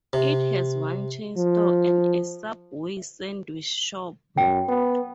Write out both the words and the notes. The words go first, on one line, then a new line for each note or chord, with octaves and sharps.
It has one chain store and a Subway Sandwich shop.
C3
F3
F#2 G5
B3